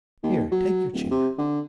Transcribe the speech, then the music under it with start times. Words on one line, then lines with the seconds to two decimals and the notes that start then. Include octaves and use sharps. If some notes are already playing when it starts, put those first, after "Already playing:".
Here, take your chair.'
0.23 D#2
0.52 F#3
0.93 D1
1.11 C3
1.38 D3